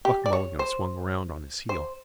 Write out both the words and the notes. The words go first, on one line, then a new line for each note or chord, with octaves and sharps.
Buck Mulligan swung round on his heel.
G4
D5
C#5
C5
C5